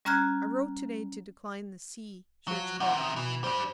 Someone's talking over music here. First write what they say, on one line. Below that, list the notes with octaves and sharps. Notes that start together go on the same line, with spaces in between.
I wrote today to decline the C---- church call.
G3 C#4 A#5 F6 F#6 G#6
F3 F#3
C3 D#3 F#5
D#6
B2 E3
G2 G3 C5